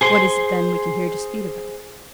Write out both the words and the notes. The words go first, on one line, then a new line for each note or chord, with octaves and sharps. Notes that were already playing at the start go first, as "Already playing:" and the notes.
What is it then we can here dispute about?
G#4 C5 C6